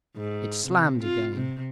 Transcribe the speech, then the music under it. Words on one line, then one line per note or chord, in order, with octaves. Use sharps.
It slammed again.
G#2
C3
F4
C3